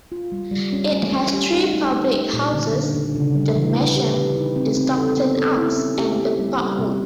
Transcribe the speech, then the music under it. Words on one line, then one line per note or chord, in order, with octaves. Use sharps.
It has three public houses "The Masham", "The Stockton Arms" and the "Parkwood".
F4
G3
G3
C#4
A3
C#4
G4
D#4
A3
A3
A3
A#2
D3
D3
D3
C#3
G3
E3
B4
G4
B4
D#4
C4
C4
A4
B3
A4
E4
C#4
G4
A#3
G3
G3
C3